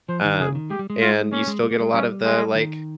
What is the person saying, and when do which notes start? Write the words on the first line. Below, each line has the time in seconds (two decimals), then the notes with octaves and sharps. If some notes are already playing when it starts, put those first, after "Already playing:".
Um, and you still get a lot of the, like,
0.09 F3 C5
0.25 D#3
0.40 C#3 G#4
0.55 D#3
0.70 G#3 G4
0.79 G3
0.90 G#3
1.01 F4
1.32 A#3 C#4
1.47 G#3
1.63 G#3
1.71 A#3
1.80 G#3
1.93 G3 C#4
2.24 G#3
2.54 D#3